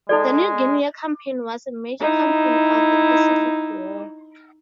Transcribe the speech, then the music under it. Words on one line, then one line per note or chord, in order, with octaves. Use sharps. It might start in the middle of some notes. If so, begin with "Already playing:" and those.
The New Guinea campaign was a major campaign of the Pacific War.
G#3 D#4 A4 D5
D#4 E4